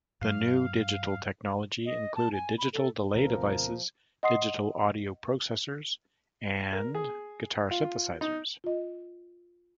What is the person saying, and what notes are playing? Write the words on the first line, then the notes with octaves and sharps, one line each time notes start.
The new digital technology included digital delay devices, digital audio processors, and guitar synthesizers.
G2 F#3 F5
D#5
A5
G#5
B5
A4
D2 B2 F3 C4 A#4
D#5 F#5 C6 D#6 C7
A#4
G#4
F4
D#4
F4 D#5